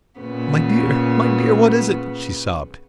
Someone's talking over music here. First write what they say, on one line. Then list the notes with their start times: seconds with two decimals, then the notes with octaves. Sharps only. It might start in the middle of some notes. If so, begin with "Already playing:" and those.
"My dear, my dear, what is it?" she sobbed.
0.20 A#2 C#3 B3